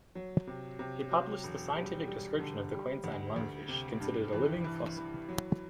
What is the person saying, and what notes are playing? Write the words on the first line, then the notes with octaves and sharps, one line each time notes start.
He published the scientific description of the Queensland Lungfish, considered a "living fossil".
F#3
C3
C3
F#3
E1
G3
G3
D3
G3
D2
D2
C3
G2
E3
E3
E3
F#3